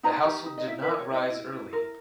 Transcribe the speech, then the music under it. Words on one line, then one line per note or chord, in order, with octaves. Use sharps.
The household did not rise early.
D#4 A#5
G4
D#4
D#5
E4 E5
B4
A#4
C#5
E4 D#5
E4
E4
A#4